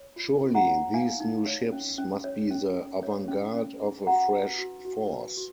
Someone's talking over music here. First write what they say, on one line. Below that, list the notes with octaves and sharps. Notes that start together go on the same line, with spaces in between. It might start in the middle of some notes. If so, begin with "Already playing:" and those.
Surely these new ships must be the avantguard of a fresh force.
Already playing: C#5
F4
F4
F#5 A#5
C#5
D#4 F5 G#5
D#4
C#5
C#4
C#4
C#5
C#4
C#4
C#5
C#4
C#4
G#4
F#4 F#5 A#5
B4
F#4
F#4
B4
F#4